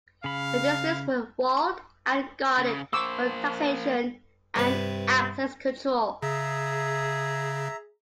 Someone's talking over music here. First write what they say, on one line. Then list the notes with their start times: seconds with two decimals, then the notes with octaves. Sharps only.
The districts were walled and guarded for taxation and access control.
0.24 C#3 F5 B5
2.58 C#3
2.93 A#3 C5 C#6 D6 E6
4.56 G2 C3 B4
6.23 C#3 G#4 E5 A#5